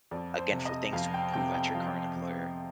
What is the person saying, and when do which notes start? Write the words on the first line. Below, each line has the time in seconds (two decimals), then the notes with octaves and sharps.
again, for things to improve at your current employer,
0.11 F2 D5
0.39 C5
0.52 C3
0.65 D#5
0.93 F2 F5
1.14 G5
1.33 C3 G5
1.54 G5
1.75 F3 F5
2.16 F2